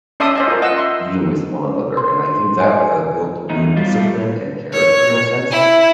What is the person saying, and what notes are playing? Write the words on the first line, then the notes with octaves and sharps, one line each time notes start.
being with one another, and I think that woulda built a good discipline and character in a sense.
C#4 D5 E5 A5 C6 D#6
C5 D#5 E5
F4 A#4
D#5 F#5 E6
E5 C6
C6
G#5
E2 D#4
G3 F4
G3 A3
C#5
E4